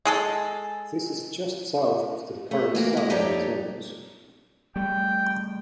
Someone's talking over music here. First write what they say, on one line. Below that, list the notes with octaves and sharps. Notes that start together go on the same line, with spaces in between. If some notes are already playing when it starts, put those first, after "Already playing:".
This is just south of the current southern terminus.
G#3 G#4 A4
A3
E3 A#3 F#4
G#3 E4
F2 D#4 G4 C#5 D5
G3 A3 G5